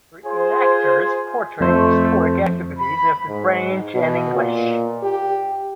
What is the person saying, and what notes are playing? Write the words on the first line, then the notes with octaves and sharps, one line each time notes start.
Re-enactors portray historic activities of the French and English.
F4 G#4 C5
F2 A3 C5
B5
G#2
B2
A#2
G4